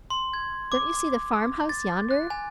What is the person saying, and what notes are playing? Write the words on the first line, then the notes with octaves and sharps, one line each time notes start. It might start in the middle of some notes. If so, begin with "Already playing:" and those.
Don't you see the farm-house yonder?
C6
G#6
D6
A6
F#6
G#5